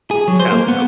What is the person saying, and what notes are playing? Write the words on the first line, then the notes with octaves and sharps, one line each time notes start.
it's kind of like oh
G#4
F#3
C5
A#3
B3